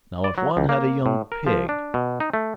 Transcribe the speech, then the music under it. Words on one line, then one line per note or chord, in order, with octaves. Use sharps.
Now, if one had a young pig!
D5
F#3
C#2
A#3
A2
A#4
F3
D4
B2
D#4
A3